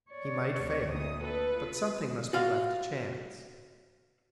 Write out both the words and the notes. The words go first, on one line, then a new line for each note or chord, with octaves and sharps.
He might fail, but something must be left to chance.
C#5 D5
D2 C3
D2 A#2 D#6
A4 B4
F4
F#4 F5